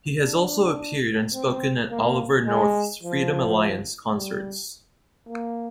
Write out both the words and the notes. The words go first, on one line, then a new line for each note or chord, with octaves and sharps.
He has also appeared and spoken at Oliver North's "Freedom Alliance" concerts.
D4
C4
A#3
G#3
F3
G3
A#3